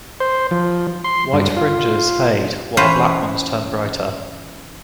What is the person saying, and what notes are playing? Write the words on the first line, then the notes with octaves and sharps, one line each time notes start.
White fringes fade while black ones turn brighter.
C5
F3
C6
G2
F4
E3 C#4 B4 C5 F5